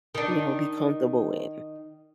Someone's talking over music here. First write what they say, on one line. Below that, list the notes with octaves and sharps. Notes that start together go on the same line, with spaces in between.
you know be comfortable in,
D#3 D4